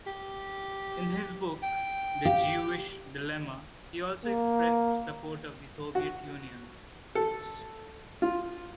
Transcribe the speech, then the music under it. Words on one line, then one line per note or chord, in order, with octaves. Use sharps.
In his book "The Jewish Dilemma", he also expressed support of the Soviet Union.
G4
G5
G4 F5
A#3
F#4
A4
F4